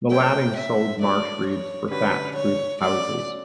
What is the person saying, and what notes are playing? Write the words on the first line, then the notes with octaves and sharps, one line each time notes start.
The Lattings sold marsh reeds for thatched-roof houses.
F#3 A3 C#4 G5
E5
F#3 A3 D4 F#4 D5
C#5
D3 G3 C#4 F#4 B4
C#5
F#3 A3 C#4 F#4 D5